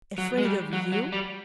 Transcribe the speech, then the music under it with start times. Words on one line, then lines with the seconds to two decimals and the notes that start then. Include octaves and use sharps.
Afraid of you?
0.18 F#3
0.38 G#3
0.45 G3
0.73 F#3
0.92 F#3
1.12 G3